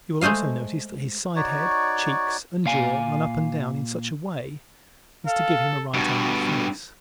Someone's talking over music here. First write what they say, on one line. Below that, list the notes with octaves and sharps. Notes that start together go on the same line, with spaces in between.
You will also notice that his side-head, cheeks and jaw run up and down in such a way as to give him a right-angled face.
G#3 A3 C5 D#5 F5
D#4 F#4 C#5 D5
A#2 F5 G#5
A4 F5
G2 B2